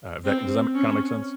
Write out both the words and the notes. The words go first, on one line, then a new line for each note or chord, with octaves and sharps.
Uh, if that does that ma kinda make sense?
C4
C#4